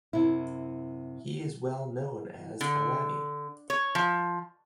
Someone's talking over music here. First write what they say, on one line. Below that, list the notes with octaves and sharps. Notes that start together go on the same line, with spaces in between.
He is well known as "alani".
F#2 C3 E4
D3
C#5
F3